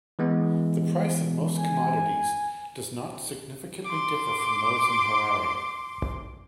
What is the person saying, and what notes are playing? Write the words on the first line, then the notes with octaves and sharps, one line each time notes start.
The prices of most commodities does not significantly differ from those in Harare.
E3 G#3 B3
G#5
C6 D6